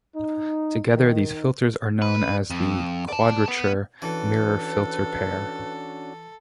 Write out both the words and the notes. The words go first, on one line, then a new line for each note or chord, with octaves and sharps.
Together these filters are known as the Quadrature Mirror Filter pair.
D#4
D#3
B4
F2
D5 A5
B3
E3 C#4 D4 F#4 A4 B4